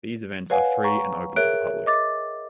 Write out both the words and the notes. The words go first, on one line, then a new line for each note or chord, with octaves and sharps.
These events are free and open to the public.
B4 C#5 F5 F#5 G#5
A#5 C#6
G#4 A#4 C#5 E5 F#6 D7
D#5 D6 A6